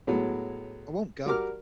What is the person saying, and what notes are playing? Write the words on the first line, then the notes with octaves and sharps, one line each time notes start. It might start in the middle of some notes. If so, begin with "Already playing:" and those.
I won't go!
A2 F#3 G#3 B3
G3 F#4 A#4 D6 F6